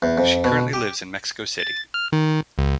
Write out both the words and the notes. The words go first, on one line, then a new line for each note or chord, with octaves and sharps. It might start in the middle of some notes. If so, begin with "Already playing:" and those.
She currently lives in Mexico City.
E2
F2
B2
G4
A6
F6
D#3
C#2